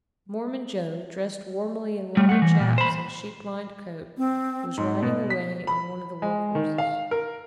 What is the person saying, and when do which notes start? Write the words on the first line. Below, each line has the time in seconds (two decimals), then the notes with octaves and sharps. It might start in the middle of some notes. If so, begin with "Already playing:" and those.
Mormon Joe, dressed warmly in leather "chaps" and sheep-lined coat, was riding away on one of the work horses.
2.17 G3 A3
2.29 A3 F#5
2.42 E3
2.60 A#2
2.78 C5 B5
4.17 C4
4.77 G#2
5.02 B2
5.30 B6
5.67 B5
6.22 G#3
6.55 D#3
6.78 F5
7.11 A#4